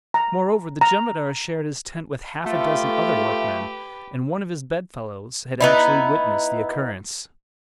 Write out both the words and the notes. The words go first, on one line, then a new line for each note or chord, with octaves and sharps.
Moreover, the jemadar shared his tent with half a dozen other workmen, and one of his bedfellows had actually witnessed the occurrence.
A#5
A#5
A3 F4 G4 B4 E5
B3 D#4 E4